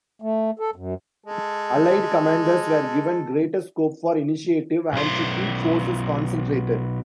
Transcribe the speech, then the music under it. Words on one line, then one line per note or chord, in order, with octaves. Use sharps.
Allied commanders were given greater scope for initiative and to keep forces concentrated.
A3
A4
F#2
G#3 A4
B1 C5